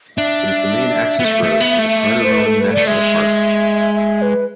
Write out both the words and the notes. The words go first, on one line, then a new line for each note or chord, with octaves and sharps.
It is the main access road to the Carnarvon National Park.
D4 E5
B3
A3
A3
B3
A3
C5
B4
A4
B4
A3 D5
G#3 E5
E5
B4